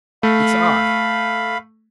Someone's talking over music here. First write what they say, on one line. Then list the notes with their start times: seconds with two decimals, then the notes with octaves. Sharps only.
"It's I."
0.23 A3 F5 B5